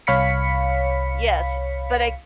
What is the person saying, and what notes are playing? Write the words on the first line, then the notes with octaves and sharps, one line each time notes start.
Yes, but I
C2 C#5 F5 B5 B6 C#7